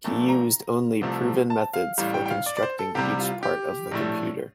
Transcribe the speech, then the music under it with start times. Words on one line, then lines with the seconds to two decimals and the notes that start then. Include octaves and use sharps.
He used only proven methods for constructing each part of the computer.
0.04 A#1 A#2 A3 A5
0.29 A#5
1.01 C2 C3 F3 A3
1.50 A5
1.74 F5
1.98 A1 A2 G3 F5
2.14 G5
2.26 G5
2.30 F5
2.46 D5
2.57 D5
2.63 C5
2.79 A4
2.95 C2 C3 G3 G4
3.19 F4
3.43 G4
3.91 A#1 A2 A3